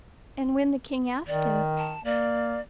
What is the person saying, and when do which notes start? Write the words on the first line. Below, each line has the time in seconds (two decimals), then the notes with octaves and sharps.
And when the king asked him.
1.27 D#3 D5
1.78 A5
2.05 A#3 D5